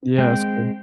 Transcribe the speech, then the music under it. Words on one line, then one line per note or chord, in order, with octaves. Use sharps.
Yeah, that's cool.
G#3 C4 G5